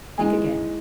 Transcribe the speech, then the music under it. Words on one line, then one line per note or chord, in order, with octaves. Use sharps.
Think again.
G#2 E3 G#3 G#5